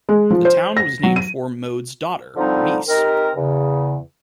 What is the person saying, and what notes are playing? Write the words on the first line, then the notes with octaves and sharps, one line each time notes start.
The town was named for Mode's daughter, Bernice.
G#3
F3
C5
A#6
F#3
D#7
D3 F3 G3 C4 D#4
C4 D#4 G4 A#4
E2 C#3